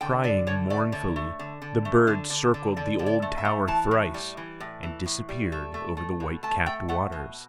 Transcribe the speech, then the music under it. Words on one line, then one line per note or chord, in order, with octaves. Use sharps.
Crying mournfully, the bird circled the old tower thrice, and disappeared over the white-capped waters.
D3 G5
D3 D5
D3 C#5
A3 D5
D3 C#5
A3
D3
D3
A3
D3
D3
D3
D3 D5
D3
D5
A3
E5
A3
E3 A5
A2
G3
E3
A2
E3
A2
G3
A3
A3
A3
B2
A3 A5
A3 G5
A3 F#5
B2